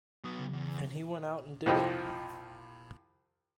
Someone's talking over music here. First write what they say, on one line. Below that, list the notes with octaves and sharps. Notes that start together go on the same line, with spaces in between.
And he went out and did it.
F#3 B3 D#6
C#3
E2
C2 F2 F3 G4 D#5